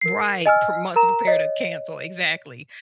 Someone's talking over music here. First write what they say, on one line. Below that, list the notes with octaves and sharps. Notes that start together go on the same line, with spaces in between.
Right. pro months are prepared to cancel. Exactly.
A#4 C7
D#5 G#5 E6 F6
A#4 A#5 E7
C#5 D#5